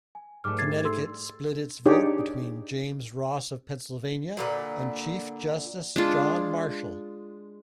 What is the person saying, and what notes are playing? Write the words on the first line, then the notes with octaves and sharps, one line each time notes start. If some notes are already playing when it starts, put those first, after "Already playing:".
Connecticut split its vote between James Ross of Pennsylvania and Chief Justice John Marshall.
G#5
G#2 G3 A3 D6 F6
G#6 A6 C7
A4 C6 E6
D4 D#4 G4 G#4 C#5 D5
A#2 D3 B4
G#3 D4 F4